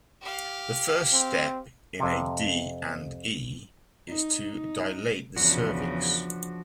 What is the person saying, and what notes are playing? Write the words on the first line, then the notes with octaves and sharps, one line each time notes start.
The first step in a D and E is to dilate the cervix.
G4 F5
C4
F2 C3
D#4
D#4
E2 C#3 F3 D4 F#4